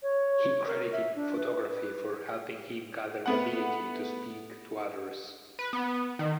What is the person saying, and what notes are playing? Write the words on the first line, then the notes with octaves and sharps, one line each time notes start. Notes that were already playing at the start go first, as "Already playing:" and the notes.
He credited photography for helping him gather the ability to speak to others.
C#5
A#4
E5
D4
B4
A3 B3 F#5
B4
B3
D#3